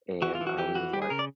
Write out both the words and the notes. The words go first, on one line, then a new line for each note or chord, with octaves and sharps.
and, I was just like
E3 F#4
F4
E3
F#4
E3 G4
E3 F#4
G3 G4
G#4
C#3 A#4
D5